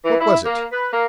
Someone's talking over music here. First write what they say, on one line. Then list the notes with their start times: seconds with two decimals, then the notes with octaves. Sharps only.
"What was it?"
0.04 E3
0.20 E4
0.45 A#3
0.72 B4
0.93 A#3